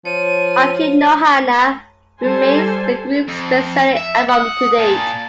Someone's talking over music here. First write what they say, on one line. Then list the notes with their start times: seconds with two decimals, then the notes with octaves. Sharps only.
"Aku no Hana" remains the group's best-selling album to date.
0.05 F3 C#5 D#7
2.21 G3 A4 C5 G#5
3.28 F2
3.97 E5
4.29 F#5 D#6
4.78 A#2 A5